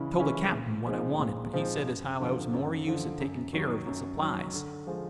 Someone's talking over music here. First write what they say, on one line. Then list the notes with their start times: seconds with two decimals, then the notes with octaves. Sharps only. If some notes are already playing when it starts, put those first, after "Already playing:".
I tol' the cap'n what I wanted, but he said as how I was more use a-takin' keer of the supplies.
Already playing: C#3 E3 G#3 C#4 E4
0.20 E3 G#3 C#4 E4
0.53 A#2
0.86 F3 G#3 C4 D#4
1.19 A#2
1.53 F3 G#3 C4 D#4
1.87 F#2
2.19 D3 F3
2.53 F#2
2.87 D3 F3
3.20 F#2
3.53 D#3 F#3
3.86 F#2
4.20 D#3 F#3
4.54 D3
4.87 F3 G#3